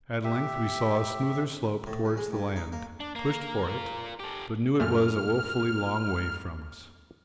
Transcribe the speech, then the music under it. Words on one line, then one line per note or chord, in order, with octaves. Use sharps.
At length we saw a smoother slope towards the land, pushed for it, but knew it was a woefully long way from us.
G4 E5
A2
D2
G#3
G2
D#4
A#3
D4
A#3
F4 A#4
G4 A4
F#2 A#2 A3 F6